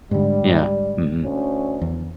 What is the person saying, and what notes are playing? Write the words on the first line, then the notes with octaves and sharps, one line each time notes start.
Yeah, mhm.
G#2 D3 G3
D2 C#4
E2